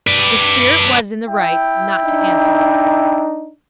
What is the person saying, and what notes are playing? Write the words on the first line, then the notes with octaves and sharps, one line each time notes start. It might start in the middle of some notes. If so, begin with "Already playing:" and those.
The spirit was in the right not to answer it.
B4 D5
E4 G5
D4 D#4